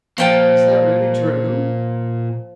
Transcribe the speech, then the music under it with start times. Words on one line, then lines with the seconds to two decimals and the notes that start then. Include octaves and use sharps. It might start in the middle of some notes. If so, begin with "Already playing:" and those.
"Is that really true?"
0.18 A#2 F3 G5 A5